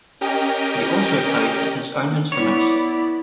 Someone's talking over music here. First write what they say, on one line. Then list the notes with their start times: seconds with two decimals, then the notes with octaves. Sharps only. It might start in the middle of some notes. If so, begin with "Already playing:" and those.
He also played his own instruments.
0.21 C#4 G4 A#4 D#5 G5
2.32 B3 E4 C#5 D5